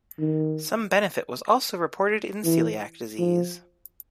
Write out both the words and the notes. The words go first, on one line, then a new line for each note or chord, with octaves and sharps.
Some benefit was also reported in coeliac disease.
D#3
E3
F3